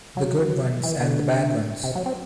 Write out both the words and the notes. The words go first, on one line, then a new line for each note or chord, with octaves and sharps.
The good ones and the bad ones.
F#3
E3
D3
C3
F#3
C4